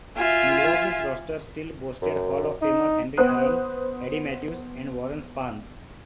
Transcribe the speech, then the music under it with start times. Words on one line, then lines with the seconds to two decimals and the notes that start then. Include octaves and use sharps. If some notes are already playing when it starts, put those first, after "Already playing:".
Milwaukee's roster still boasted Hall of Famers Henry Aaron, Eddie Mathews and Warren Spahn.
0.16 F4 E5 G#5
2.02 F#2
2.62 D#4
3.17 B3 B4 C5 F#5 D#6 F#6